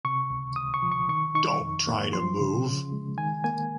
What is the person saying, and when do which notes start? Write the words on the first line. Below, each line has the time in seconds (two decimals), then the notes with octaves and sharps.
Don’t try to move.
0.05 C3 C#6
0.30 C#2
0.56 C#2 D#6
0.74 C#6
0.83 F3
0.92 C#6
1.09 D#3 C#6
1.35 D#4 C#6
1.61 F2
1.87 A#3
2.13 F3 C6
2.40 C#3
2.66 C#3
2.92 G#3
3.18 D#3 G#5
3.44 A#3 G#5